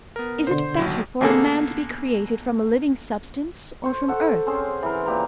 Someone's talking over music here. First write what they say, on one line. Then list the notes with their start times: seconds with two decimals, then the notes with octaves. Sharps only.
Is it better for a man to be created from a living substance or from earth?
0.16 B3 A#4
0.47 B2 D3 C5 C6
0.79 A1 D#2 F#3
1.21 B2 D3 A#3 G#4 A4
3.84 C5 C#6
4.08 A4 F#5
4.47 C4 C#4 G#4 C5
4.83 E3 A#4
5.06 A#2 G4 A#5